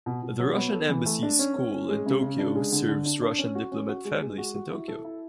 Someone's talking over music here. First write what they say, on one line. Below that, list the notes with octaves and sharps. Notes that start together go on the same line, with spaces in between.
The Russian Embassy School in Tokyo serves Russian diplomat families in Tokyo.
B2
B2
F#3
B3
A4
E3
A3
D4
C#4
C#4
C#4
G#3
C#3
C#3
D4
G#3
D3
D3
D4
D4
C#4
F#4
C#4
F#4
G#3
G#3
F#4
F#4
E4
A4
E4